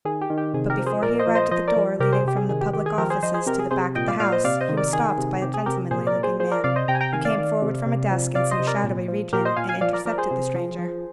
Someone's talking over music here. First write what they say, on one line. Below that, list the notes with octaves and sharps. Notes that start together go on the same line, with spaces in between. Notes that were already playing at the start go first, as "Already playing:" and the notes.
But before he arrived at the door leading from the public offices to the back of the house, he was stopped by a gentlemanly-looking man, who came forward from a desk in some shadowy region, and intercepted the stranger.
D#3 G#4
G4
D#3
G4
C3 G#4
G4 A#4
F3
G#4 C5
A#2 A#4 D5
C5 D#5
F3
C5 D#5
F3 C5 D#5
A#4 D5
F3
C3 G4 A#4
G#4 C5
C3 G4
G#4
D#3 G#4
G4
D#3 G4
G#4
F3 G4 A#4
G#4 C5
F3 C5 D#5
G#4 C5
C3 G4 A#4
G#4
C3 G#4 C5
A#2 D#5 G5
D5 F5
A#2 D5 F5
C5 D#5
C3 D5 F5
C5 D#5
D#3
A#4 D5
D#3 G#4
C3
C3 G4
G#4
C3 G4 A#4
A#2 G#4 C5
A#4 D5
A#2
G#4 C5
F3 G#4 C5
A#4 D5
C3 D5 F5
C5 D#5
C3 G5 A#5
G#5
G5 A#5
D#3 F5 G#5
D5 F5
D#3
C3
C3
F3
C3 D5 F5
C5 D#5
C3
A#4 D5
A#2
F3
A#2 G4 A#4
C5 D#5
A#2 F5 G#5
F5 G#5
F3 D5 F5
A#4 D5
F3 A#4 D5
G#4 C5
C3
F3
F3